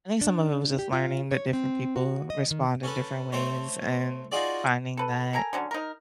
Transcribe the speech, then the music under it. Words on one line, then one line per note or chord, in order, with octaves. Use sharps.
I think some of it was just learning that different people respond in different ways and finding that
D4
G4
F4
C#5
C4
F#4
D#5
D#3
C#4 A4 B4
A3 C4 C5 C#5
D#4 F4 F#4 G#4 D5
A4 B4
A4 A#4 G#5 A#5
D3 F#3 C#4
D#4 A#4